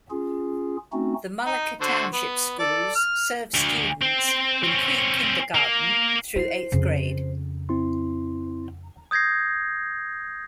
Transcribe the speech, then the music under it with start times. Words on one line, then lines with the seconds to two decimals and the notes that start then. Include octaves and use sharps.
The Mullica Township Schools serve students in pre-kindergarten through eighth grade.
0.10 C#4 F4 G#4
0.92 A3 C4 C#4 D#4 F#4
1.46 D#4
1.81 D3 F#4 C5
2.13 B3
2.59 A4 D5
2.95 F6
3.54 D2
4.02 C4
4.63 C4 C#4
5.55 A#3
6.36 E4 C5 C7
6.72 F2 C#3
7.69 C4 E4 C6
9.11 D#6 G6 G#6 A#6 C7